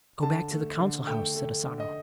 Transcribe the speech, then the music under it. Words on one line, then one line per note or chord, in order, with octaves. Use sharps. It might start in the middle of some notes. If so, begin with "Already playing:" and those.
"Go back to the Council House," said Asano.
D3 A5
A3
D3
A3 G5
A3
D3
D#5